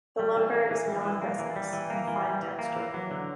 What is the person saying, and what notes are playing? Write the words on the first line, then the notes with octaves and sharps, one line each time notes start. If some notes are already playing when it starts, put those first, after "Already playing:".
The lumber is non-resinous and fine textured.
G3
E3
A#3
E3
G3
E3
A#3
E3
G3
E3
A#3
E3
G3
E3
A#3
E3
F#3
D3